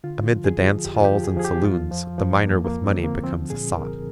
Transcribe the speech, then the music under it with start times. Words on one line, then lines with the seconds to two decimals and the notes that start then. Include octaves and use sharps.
Amid the dance-halls and saloons the miner with money becomes a sot.
0.04 D3 F4
0.31 F3
0.44 G#4
0.57 F3
0.85 F2 G4
0.94 F4
1.05 G4
1.11 F3
1.24 G#4
1.37 F3 G#4
1.45 G4
1.64 F2 F4
1.91 F3
2.18 F3
2.44 F2 A#3
2.65 A#3
2.71 F2
2.84 C4
2.97 D3
3.04 A#3
3.24 F3 C4
3.50 A#2 G#4
3.77 C2 A#4